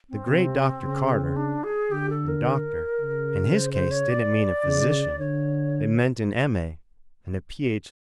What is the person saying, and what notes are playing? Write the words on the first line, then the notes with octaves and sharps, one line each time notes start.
The great Dr. Cotter--and 'Dr.' in his case didn't mean a physician, it meant an M. A. and a Ph.
C4
C3
C#3
D4
G#4
D3 G4
A4
A#4
C#3
C5
C5
C#5
D5
C#3
D3 C#5